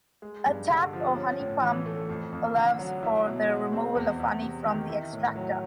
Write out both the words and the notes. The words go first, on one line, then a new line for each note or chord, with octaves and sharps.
A tap or honey pump allows for the removal of honey from the extractor.
G#3
G2
D3
F3
C#4
A2
E3
A3
F2
F2
D3
F#3
E4
B2
G#3
C4
E2
E2
C3
D#3
E4
A2
F#3